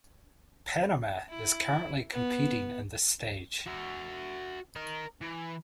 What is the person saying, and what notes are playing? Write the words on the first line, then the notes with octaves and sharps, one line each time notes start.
Panama is currently competing in this stage.
E4
B3
F#4 E5
A#4 D#5
E3